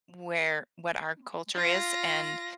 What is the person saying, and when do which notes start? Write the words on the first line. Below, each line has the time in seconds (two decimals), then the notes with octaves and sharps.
where what our culture is, and,
1.55 F4 A#6